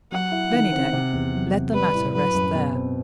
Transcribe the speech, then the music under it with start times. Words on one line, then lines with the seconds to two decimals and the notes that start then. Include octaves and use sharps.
Bennydeck let the matter rest there.
0.12 F#3 F#5
0.32 E4
0.52 D#3
0.72 C4
0.93 C3
1.13 E2
1.33 F#3
1.53 C3
1.74 G3 B4
1.94 A2
2.14 F#3 B4
2.34 F#2
2.55 B2
2.75 C4